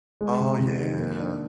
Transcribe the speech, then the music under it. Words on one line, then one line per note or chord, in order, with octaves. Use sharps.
Oh yeah.
G#3
C3
C3
D#3
A#3
D4